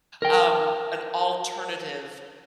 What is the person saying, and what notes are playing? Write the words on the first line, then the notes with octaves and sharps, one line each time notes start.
um, an alternative
A#4 G5